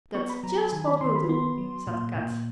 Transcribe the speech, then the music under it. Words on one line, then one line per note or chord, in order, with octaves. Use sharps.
"That's just what we'll do," said Kat.
B3 C#6
B5
F#3 A#5
A5
D#3 G#5
B5
D#3 C6
B5
B3 C6
F#3
A#2
A#2